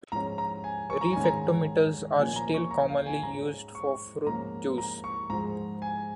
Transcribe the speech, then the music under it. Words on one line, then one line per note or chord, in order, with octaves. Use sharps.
Refractometers are still commonly used for fruit juice.
G#2 F3 C#4 A#5
A#5
G#5
C#6
A#5
G#2 D#3 C#4 G#5
A#5
A#2 F3 A#3 C#4 G#5
A#5
C#6
A#5
F5
G#5
G#2 G#3 C#4 A#5
C#6
G#2 F3 A#3 C#4 A#5
A#5
C#6
G#2 F3 G#3 A#5
G#5